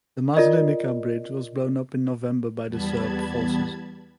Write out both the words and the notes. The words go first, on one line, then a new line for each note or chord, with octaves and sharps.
The Maslenica bridge was blown up in November by the Serb forces.
F4 A#4 D5 D#5
E2 G3 B3 A5 B5 G#6